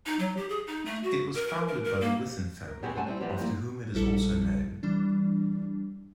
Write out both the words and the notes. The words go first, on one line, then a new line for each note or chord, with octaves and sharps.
It was founded by the Whitin family, after whom it is also named.
D#4
F#3
G4
G#4
D#4
A3
F#4
A#4
A#4
A#4
A#4
A#3
A#4
B2 B3 C4 G4 G#4
F#2 A3 C4 F#5 G#5 A5
G3 C4 E4
E3 F3 G3 B3 C4 G4
F3 G3 A#3 C4
A#1 G3 E4 A4 C#7
E3 G3 D4